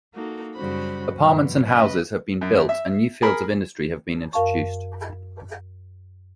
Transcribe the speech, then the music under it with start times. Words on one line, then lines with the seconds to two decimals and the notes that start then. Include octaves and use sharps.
Apartments and houses have been built and new fields of industry has been introduced.
0.13 A#3 D#4 F#4 A4
0.55 F#2 C#3 G3 F#4 C5 B5
1.15 G2 B2 F3
1.65 C#3 B4 D#5
2.41 F#2
2.69 E5
3.22 G#4 A#4 B5
4.33 F#2 A#4 F5 A5 C#6